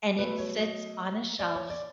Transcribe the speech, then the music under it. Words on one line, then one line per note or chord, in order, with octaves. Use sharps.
and it sits on a shelf
B2 F#3 A3 B4
C#5
D#5
D5
C#5
D5